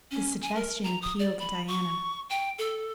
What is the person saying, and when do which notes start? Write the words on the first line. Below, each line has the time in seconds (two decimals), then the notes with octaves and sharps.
The suggestion appealed to Diana.
0.11 C#4
0.42 G#5
0.55 A#4
0.84 A#5
1.02 D#6
1.19 D5
1.39 B5
1.68 C#6
2.30 G5
2.58 A4